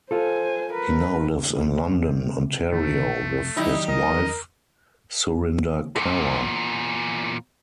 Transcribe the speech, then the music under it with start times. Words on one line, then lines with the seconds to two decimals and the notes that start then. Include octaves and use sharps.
He now lives in London, Ontario with his wife Surinder Kaur.
0.11 F4 A4 C5 G#5
0.73 A#4 B4
2.05 C3
2.71 A#2 D#3 A3
3.19 C2 F2 C3
3.57 D#3 F#3 G3 D#4 E4 G4
3.88 A#4 D#5
5.96 E2 A#2